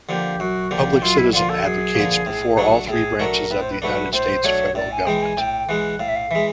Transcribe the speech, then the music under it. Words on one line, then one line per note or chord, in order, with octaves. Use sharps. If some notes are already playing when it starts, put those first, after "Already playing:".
Public Citizen advocates before all three branches of the United States federal government.
D3 F3 A#3 G4
F#2 F#4
D3 F3 A#3 G4
F#2 F4
E4
D3 F3 A#3 F4
A4
F#2 G#4
D3 F3 A#3
A2
F#3 A3 D4
A2 G#4
F#3 A3 D4 A#4
A2 B4
C5
B4
F#3 A3 D4 B4
A2 C5
F#3 A3 D4 C#5
A2 D5
G#5
E3 G#3 G5
G#5
A2 G5
E3 G#3 F#5
A2 F5
E5
F5
E3 G#3 E5